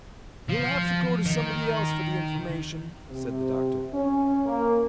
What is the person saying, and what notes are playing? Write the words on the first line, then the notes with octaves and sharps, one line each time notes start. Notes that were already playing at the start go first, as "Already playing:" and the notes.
"You'll have to go to somebody else for the information," said the Doctor.
F3
D#3
C3
C#4
A#3